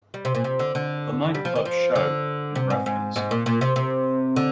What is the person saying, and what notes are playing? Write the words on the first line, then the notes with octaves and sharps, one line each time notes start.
The nightclub Show is referenced.
G3
C3
A#2
C3
D3
D3
G3
F3
D#3
F3
D3
C3
G#2
G#2
G#2
A#2
A#2
C3
C3
D3